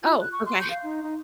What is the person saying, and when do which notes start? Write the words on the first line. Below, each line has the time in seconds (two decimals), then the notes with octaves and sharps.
Oh, okay.
0.03 F4
0.21 F#6
0.32 C#6
0.46 C6
0.59 G6
0.70 F5
0.83 D#4
1.03 D#4